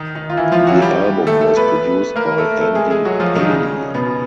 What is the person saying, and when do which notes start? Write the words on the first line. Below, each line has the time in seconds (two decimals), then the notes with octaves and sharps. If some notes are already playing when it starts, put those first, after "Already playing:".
The album was produced by Andy Paley.
Already playing: D#3 D#4
0.15 D#3 D#4
0.30 F4
0.37 E3 E4
0.52 F3 F4
0.67 F#3 F#4
0.82 G3 G4
1.27 A3 A4
1.41 A3 A4
1.57 B3 B4
2.16 A#3 A#4
2.38 A3 A4
2.60 A3 A4
2.75 G#3 G#4
2.90 G#3 G#4
3.05 F#3 F#4
3.20 F3 F4
3.35 D#3 D#4
3.45 D4
3.50 C#3 C#4
3.94 B2 B3